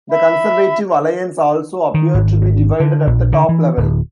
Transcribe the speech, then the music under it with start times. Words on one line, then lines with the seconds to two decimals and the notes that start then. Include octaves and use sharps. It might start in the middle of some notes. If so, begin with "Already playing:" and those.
The Conservative Alliance also appeared to be divided at the top level.
0.09 E5 B5
1.94 D#3
2.14 G#1
2.80 D3
3.07 A#1
3.33 D3
3.49 E3
3.77 D1